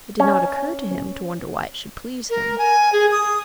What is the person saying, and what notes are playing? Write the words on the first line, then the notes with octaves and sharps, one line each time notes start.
It did not occur to him to wonder why it should please him.
C#4
A#4
G#5
G#4
D#6